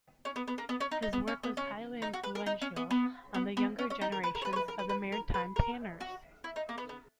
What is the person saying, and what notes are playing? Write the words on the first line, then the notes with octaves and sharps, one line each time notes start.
His work was highly influential on the younger generation of maritime painters.
C#4
B3
B3
A#3
B3
C#4
D#4
D#4
B3
C#4
B3
C#4
D#4
F#4
B4
A#4
D#4
C#4
B3
B3
B3
B3
C#4
C#4
D#4
A#4
B4
A#4
C#5
B4
C#5
B4
A#4
B4
B4
A#4
B4
A#4
F#4
E4
D#4
A#3
B3
B3